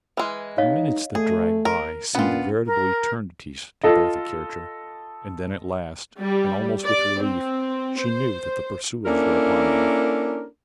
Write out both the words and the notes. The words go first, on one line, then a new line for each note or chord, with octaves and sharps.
The minutes that dragged by seemed veritable eternities to Bertha Kircher and then at last, and almost with relief, she knew that the pursuers were upon them.
E3 G#3 B4
D#4 C#5 D#5 F5
A3 G#4
A#4
A#2 B3 C#4 D4 F4
A#4
F4 A4 D#5
G3
D5
C4
C5
A#3 C#4 D4 E4 A4 A#4